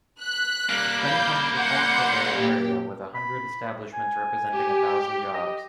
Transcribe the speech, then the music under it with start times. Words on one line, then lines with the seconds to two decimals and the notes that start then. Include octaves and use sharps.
Then comes the Fontcouverte area with a hundred establishments representing a thousand jobs.
0.21 F#6 B6
0.70 G3 A#3
1.00 F5 B5 G6
1.51 F#5 C6 G6
2.37 A#2 G4
3.15 B5
3.93 G#5
4.50 G4
5.34 D#5